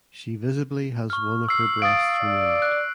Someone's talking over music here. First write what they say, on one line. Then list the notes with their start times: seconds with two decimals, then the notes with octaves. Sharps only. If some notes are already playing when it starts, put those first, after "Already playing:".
She visibly has one of her breasts removed.
1.10 C#6 F6
1.49 E6 C7
1.82 F5 D#6 A6 D7
2.21 D5
2.62 F#6